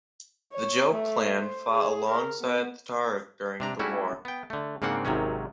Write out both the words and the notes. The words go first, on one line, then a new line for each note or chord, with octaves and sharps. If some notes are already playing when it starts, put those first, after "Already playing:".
The Jo clan fought alongside the Taira during the war.
C#5
A3
C5
G#4
A#4
B3
C3 D4 A#5
G3 A3 C#4 E4 F#4
B3 G5
D3 A3
G#2 C#3 A#3 C4 D4 F#5
G#1 C3 D#3 F#3 C#4